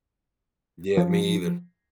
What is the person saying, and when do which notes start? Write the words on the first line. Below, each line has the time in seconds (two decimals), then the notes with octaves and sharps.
Yeah, me either.
0.97 F3